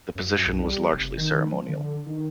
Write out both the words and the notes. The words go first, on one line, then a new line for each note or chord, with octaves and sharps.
The position was largely ceremonial.
F#2
B1
G3
F1
D#3
F3
D3
D#3